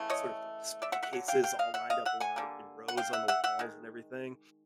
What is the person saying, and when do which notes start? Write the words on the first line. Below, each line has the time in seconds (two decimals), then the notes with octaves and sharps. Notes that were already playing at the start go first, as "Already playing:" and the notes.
sort of, like, display cases, all lined up along in rows on the walls and everything.
Already playing: C#3 E3 A3
0.10 C#5 D#5
0.82 D5 E5
0.92 E5 F#5
1.03 E5 F#5
1.13 D3 F#3 F#5
1.28 F5 G5
1.43 F5 G5
1.59 D#5 F5
1.74 E5 F#5
1.90 D#5 F5
2.05 E5 F#5
2.20 F#5 G#5
2.36 D3 G3 A#3
2.88 F#5
2.97 F5 G5
3.13 E5 F#5
3.28 E5 F#5
3.44 E5 F#5
3.59 D#3 G#3